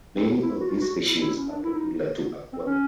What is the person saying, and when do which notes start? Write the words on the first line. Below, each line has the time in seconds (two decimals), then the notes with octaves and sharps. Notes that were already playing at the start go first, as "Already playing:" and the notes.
Many of the species are popular for aquaria.
0.16 C4
0.42 E4
0.61 F#4
0.68 F4
0.81 F#4
1.08 E4
1.20 E4
1.37 C#4
1.48 D4
1.64 E4
1.74 D#4
2.53 C4
2.66 C#4